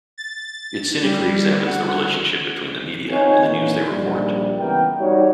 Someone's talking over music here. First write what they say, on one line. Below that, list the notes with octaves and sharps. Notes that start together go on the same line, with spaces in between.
It cynically examines the relationship between the media and the news they report.
A6
G3
F#5
C4 D#4 F4 C#5 G#5
A#2 D3 E3
A#1 G#2 G3
C#2 E3 B3 A#4 G5
G3 D#4 F#4 C#5